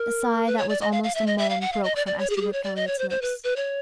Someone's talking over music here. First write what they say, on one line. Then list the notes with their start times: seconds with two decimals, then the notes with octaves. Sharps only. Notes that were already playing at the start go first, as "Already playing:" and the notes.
A sigh that was almost a moan broke from Esterbrook Elliott's lips.
Already playing: A#4
0.47 B4
0.58 C#5
0.69 D5
0.81 D#5
0.92 F5
1.04 F5
1.15 E5
1.27 D#5
1.38 E5
1.50 F5
1.61 F#5
1.72 F5
1.84 D#5
1.96 D5
2.07 D5
2.19 C#5
2.30 G#4
2.37 G4
2.41 G#4
2.53 C#5
2.64 D5
2.76 D#5
2.87 C#5
2.99 C5
3.10 C5
3.22 B4
3.44 B4
3.56 C#5